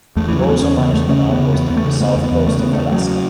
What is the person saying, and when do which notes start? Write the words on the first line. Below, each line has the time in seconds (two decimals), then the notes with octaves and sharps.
He also managed an outpost on the south coast of Alaska.
0.16 E2 A3
0.28 C#3 E3
0.39 F#3
0.47 E2 B3
0.62 E2 C#4
0.78 C#3 B3
0.93 E2 A3
1.09 C#3 C#4
1.24 E2
1.31 B3
1.39 C#3
1.54 E2 B3
1.70 E2 B3
1.77 A3
1.85 C#3
2.01 C#3 B3
2.16 E2
2.24 B3
2.32 E2
2.46 C#3 A3
2.59 C#3 B3
2.73 E2 A3
2.92 C#3 F#3